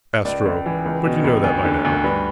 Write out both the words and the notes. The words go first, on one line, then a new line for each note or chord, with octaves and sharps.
"Astro, but you know that by now."
C#2 D5
C#2
E3
C#2
B2
C#2
D2
D3
D2
G2 B4